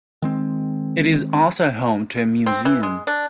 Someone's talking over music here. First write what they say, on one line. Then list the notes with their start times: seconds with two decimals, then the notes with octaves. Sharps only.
It is also home to a museum.
0.22 D#3 G#3 C4
2.46 C4
2.65 E3
2.83 G#3
3.07 D4